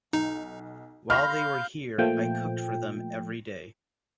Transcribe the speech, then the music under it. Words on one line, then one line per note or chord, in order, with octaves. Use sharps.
While they were here, I cooked for them everyday.
B1 D#4
F5 B5 C6 F6 G6 A#6
A#2 F3 A3 G5